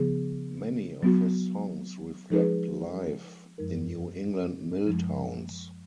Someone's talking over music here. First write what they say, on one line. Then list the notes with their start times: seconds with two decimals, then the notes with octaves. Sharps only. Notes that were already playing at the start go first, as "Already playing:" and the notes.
Many of his songs reflect life in New England mill towns.
Already playing: C#3 F3 B3 G#4
1.03 F#3 B3 F#4
2.30 F3 G#3 D#4 G#4 B4
3.58 F#2 F3 G#3 D#4 A#4
4.86 F#2 F3 G#3